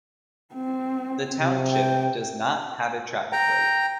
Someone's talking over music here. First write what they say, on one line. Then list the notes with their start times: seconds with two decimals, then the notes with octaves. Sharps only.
The township does not have a traffic light.
0.55 C4
1.40 C3
1.73 G5
3.32 G5 A#5